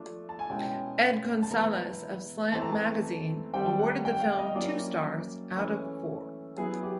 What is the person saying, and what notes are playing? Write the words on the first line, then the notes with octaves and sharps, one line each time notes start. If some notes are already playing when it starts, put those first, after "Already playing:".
Ed Gonzalez of "Slant Magazine" awarded the film two stars out of four.
Already playing: F3 A3 D4
A5
G#5
B2 G#3 C#4 E4 G5
A5
E3 G#3 B3 E4 A#5
E3 A3 C4 A5
A#5
A5
D#3 G3 C4 G5
F#5
G5
F5
D#5
F#3 A#3 C#4 E4 D5
E3 A3 C#4 E4
F#3 B3 E4 G#4
G4